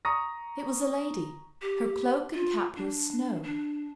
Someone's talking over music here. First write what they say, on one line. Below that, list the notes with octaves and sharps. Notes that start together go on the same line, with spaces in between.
It was a lady; her cloak and cap were of snow.
A#5 C#6 D#6 A#6
G4
F4
D4
D4